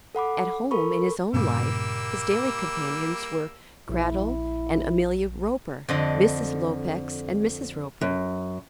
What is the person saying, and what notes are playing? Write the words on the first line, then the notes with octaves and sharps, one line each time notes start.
At home, in his own life, his daily companions were Cradell and Amelia Roper, Mrs. Lupex and Mrs. Roper.
A4 F#5 B5 D6
A4 A#4 B5 C#6
G2 A#2 C#3 G3 A#3 E6
A#1 E4
F2 D3 D#5
F#2